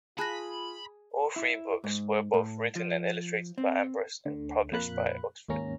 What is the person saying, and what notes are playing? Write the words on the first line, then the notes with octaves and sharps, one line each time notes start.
All three books were both written and illustrated by Ambrus and published by Oxford.
F4 G#4 A5 B5 F#6 A#6
E4
G#2
A2
F3
C4
D2 D3
F2 A#2 A#3 B5 F#6
D#2 G#2 A#3 C#4 A#5